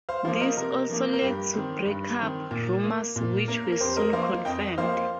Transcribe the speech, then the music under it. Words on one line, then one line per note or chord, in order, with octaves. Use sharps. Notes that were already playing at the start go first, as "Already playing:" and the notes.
This also led to break-up rumors, which were soon confirmed.
C5 F5
F3 A#3 C5 F5
A#4 D#5
C3 A#4
F3 A#3
A#4
G2 G4
D#3 C4
G2
D#3 C4
A#2
A#3
A#2
A#3 A#4
A#4
F2 G4 C5
A#4 D#5
F3 A#3 C5 F5
F2 D#5 G5
F3 A#3 C5 F5